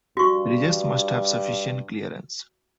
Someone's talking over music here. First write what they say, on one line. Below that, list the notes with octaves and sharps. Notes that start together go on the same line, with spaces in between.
Bridges must have sufficient clearance.
G2 F#4 C#6